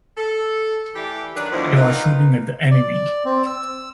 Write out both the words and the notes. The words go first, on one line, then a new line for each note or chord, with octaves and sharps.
I was shooting at the enemy.
A4
E3 A3 G4 D5
D#3 F#3 D4 B4
D2 B2 F3 D4 E4
D#3 A#3 D#4 F4 B4
D5
C4
E6